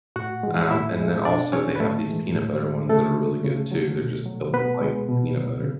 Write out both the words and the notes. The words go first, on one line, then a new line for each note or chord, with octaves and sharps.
Um, and then also they have these peanut butter ones that are really good too, they're, just, filled with, like, peanut butter.
A2 F#4 F#5
E3 G#3
A2 E4 E5
G#3
B2 D4 D5
F#3 C#4 C#5
B4
A2 A3 A4
E3 G#3
A2
G#3
C#3 A3 A4
G#3
C#3
F#3
B2
F#3
B2 B3 B4
G#3
B2
F#3
C#3